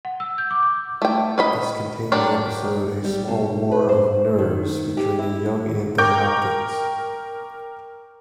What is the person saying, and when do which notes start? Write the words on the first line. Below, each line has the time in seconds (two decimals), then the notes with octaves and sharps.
This contained the episode A Small War of Nerves featuring a young Anthony Hopkins.
0.05 F#5
0.20 E6
0.38 G6
0.51 D6
0.63 D6
1.02 A3 G5
1.38 B4 D#5 B5
2.12 F#3 D4 G4 A#4 D5
3.04 G3
3.28 B2
3.71 B4
3.89 C5
4.39 D#3
4.97 G4
5.19 E4
5.98 A#4 G5 C#6 D6 G6